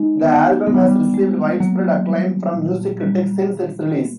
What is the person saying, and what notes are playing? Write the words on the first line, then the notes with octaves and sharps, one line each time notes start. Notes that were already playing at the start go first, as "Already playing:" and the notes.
The album has received widespread acclaim from music critics since its release.
Already playing: G#3 D#4
B3
G#3 B3
G3
F#3
G3
G#3
F#3 A#3
G3
A#2
G3
G3
A#3